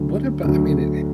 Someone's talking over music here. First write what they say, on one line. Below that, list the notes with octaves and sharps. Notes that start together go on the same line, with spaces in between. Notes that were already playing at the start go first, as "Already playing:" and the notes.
what abou I mean, eh
Already playing: D2 D3 F#3
D2 D3 F#3